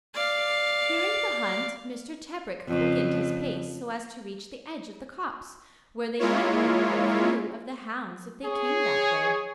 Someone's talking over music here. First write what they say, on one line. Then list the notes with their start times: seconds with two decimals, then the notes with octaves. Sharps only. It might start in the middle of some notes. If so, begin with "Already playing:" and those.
Hearing the hunt, Mr. Tebrick quickened his pace so as to reach the edge of the copse, where they might get a good view of the hounds if they came that way.
0.14 D5 F5
2.68 F2 C#3
6.19 G#3 A#3 E4 F4 C#5
8.45 G#4 C#5